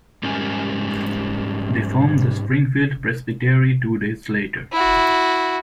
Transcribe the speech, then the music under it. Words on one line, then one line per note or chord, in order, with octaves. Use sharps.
They formed the Springfield Presbytery two days later.
G#2 G3 G#3 C#4 A#4 G#5
E4 F#4